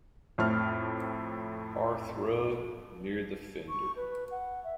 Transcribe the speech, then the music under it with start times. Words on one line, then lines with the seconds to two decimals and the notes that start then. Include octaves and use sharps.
Hearthrug, near the fender.
0.38 F2 A2 A3 C4 A5 F6
3.69 C#6
3.96 B4
4.31 F#5
4.64 E5